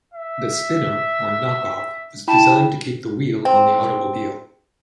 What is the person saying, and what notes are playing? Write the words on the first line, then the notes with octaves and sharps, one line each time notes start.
The spinner or "knock-off" was designed to keep the wheel on the automobile.
E5
E4 G5 A5 B5
C4